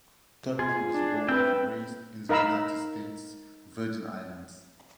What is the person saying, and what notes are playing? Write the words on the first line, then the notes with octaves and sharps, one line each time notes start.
Todman was born and raised in the United States Virgin Islands.
F4 G#4
D4
C4 B4 E5 G5
D#4 A#4 F5 A#5 B5 E6